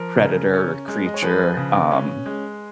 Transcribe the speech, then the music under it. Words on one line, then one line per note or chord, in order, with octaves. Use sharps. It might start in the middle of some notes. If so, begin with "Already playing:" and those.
predator or creature, um,
Already playing: F3 A#4
C#3
C#4
G#3
D#5
C#5
F3 G#4 B4
C#3
C#4
G#3